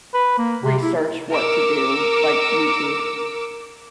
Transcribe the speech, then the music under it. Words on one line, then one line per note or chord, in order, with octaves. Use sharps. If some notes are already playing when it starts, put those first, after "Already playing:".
research what to do, like YouTube.
B4
A#3
C3
E4
A#4 D6 E6 C#7